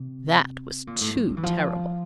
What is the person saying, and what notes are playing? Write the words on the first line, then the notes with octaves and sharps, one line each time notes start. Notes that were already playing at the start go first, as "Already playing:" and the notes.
That was too terrible!
Already playing: C3
A#2
A2
G3
G3
E3
F3